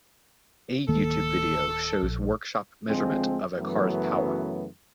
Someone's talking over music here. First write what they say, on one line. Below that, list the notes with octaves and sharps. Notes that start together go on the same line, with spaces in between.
A YouTube video shows workshop measurement of a car's power.
D1 D#3 A#3 A4
A#1
D2 F3 G#3 C4
F#2 C#3 E3 F#3 A3 B3